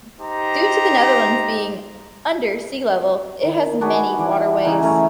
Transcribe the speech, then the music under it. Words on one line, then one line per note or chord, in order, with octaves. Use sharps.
Due to the Netherlands being under sea-level, it has many waterways.
D#4 G4 C5 A#5
D#3
D4 F#4 G#4 B4
E3 D5
C#3 E3 D#4
A3 C#4 A#5